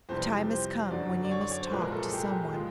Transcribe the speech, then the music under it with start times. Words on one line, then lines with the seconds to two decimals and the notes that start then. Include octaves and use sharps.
"The time has come when you must talk to some one."
0.09 F2 C3 E3 G3 C5
0.50 C5
0.90 F#2 D3 F#3 D5
1.24 D5
1.31 C#5
1.41 D5
1.51 C#5
1.62 C5
1.71 C2 A#2 F3 G#3 B4
1.82 A#4
1.92 A4
2.02 G#4
2.13 G4
2.53 F3 G#3 F4